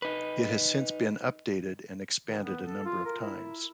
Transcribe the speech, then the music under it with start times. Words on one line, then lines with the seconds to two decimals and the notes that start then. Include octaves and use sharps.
It has since been updated and expanded a number of times.
0.02 D#4 B4
2.27 D#3
2.43 B3
2.65 A4
2.85 F4
3.05 A#4
3.20 E4